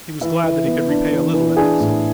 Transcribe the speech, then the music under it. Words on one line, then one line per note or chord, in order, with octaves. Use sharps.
He was glad that he could repay a little at least.
E3 E4 E5
E3
B3
D4
E3
E3
D4 G#4 G#5
A2